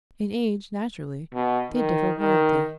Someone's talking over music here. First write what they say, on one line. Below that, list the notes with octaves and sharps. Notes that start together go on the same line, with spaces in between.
In age, naturally, they differ wildly.
B2
D#3
D#3